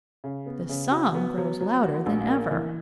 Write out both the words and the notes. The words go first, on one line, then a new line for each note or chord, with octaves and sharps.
The song grows louder than ever.
C#3
B3
C#3
F#4
B3
F#3
F#3
F#4
A#1
A#3
E3